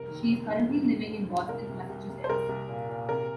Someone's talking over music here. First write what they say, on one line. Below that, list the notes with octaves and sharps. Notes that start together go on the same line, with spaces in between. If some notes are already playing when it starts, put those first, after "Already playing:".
She is currently living in Boston, Massachusetts.
Already playing: F1 C2 A#4
D#3
F1
F1
A#1
A#1
A#1
A#1
C2 A#4
C2
C2
C2
C5
C2 A#4
C2
A#2
A#2
C3 A#4